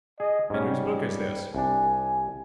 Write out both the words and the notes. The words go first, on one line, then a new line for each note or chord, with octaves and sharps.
"And whose book is this?"
G#4 D#5
G#2 G3 C#4
C2 D4 G#5